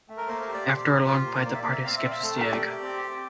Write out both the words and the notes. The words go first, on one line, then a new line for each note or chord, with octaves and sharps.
After a long fight, the party escapes with the Egg.
A3
A#4
A#3 C5
C5
G4
D5
G4 C5
G4
F4
A#3
C5
A#3 D5
E5
D5
A#3
E5
C4 F5
E5
C4 D5
E5
A3 A4
A#4
G4
D5
G4
C4
G4